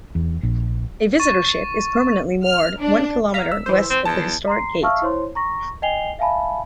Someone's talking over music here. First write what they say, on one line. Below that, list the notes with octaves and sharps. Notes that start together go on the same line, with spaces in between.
A visitor ship is permanently moored one kilometer west of the historic gate.
E2
A#1
C#6 A6 D#7
F6
D4
F5 A#5 B6
E6
E3 C5
C4
E2 A5
A#5 C6 C7
E5 F5 A5 C#6 E6 F6
E4 C5 C#5 C6
A#5 C#6 A#6
D#5 G5 G#5 C7 F7 G7
E5 F5 G#5 A5 B5